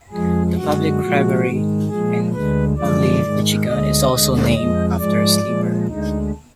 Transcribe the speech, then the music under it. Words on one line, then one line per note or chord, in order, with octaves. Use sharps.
The public library in Ubly, Michigan is also named after Sleeper.
F2 F3 G#3 G#4
F#2 D3 G#3 F#4
A#2 F3 G#3
G#2 D#3 G#3
A#2 F3 G#3 G#4
D2 D3 G#3 B4
F#2 D3 F3 G#3 D5
G#2 D#3 G#3
D2 D3 G#3 D#5
D2 D3 G#3
F2 F3 G#3 D#5
G#2 F3 G#3 D5
A#2 F3 G#3
D2 D3 G#3 D#4